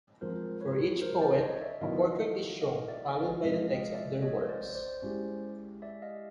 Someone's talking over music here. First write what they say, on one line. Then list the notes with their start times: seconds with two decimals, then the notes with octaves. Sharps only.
For each poet, a portrait is shown, followed by the text of their works.
0.21 F3 G#3 C4 F4 A#4 C5
0.61 B4 C#5
1.01 A#4 C5
1.21 C5 D5
1.41 C#5 D#5
1.61 D5 E5
1.81 D#3 F#3 B3 E4 D#5 F5
2.61 D#5 F5
2.88 D5 E5
3.15 D#5 F5
3.42 C3 F3 G#3 D#5 F5
3.68 D#5 F5
3.95 D5 E5
4.22 C#5 D#5
4.49 C5 D5
4.75 C5 D5
5.02 G#3 C#4 E4 G4
5.82 D5 E5
6.02 D#5 F5